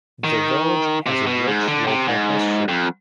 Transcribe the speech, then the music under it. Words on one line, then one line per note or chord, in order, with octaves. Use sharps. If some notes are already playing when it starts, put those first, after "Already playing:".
The village has a rich local history.
D#3
C3
B2
G#2
D3
C3
G#2
F2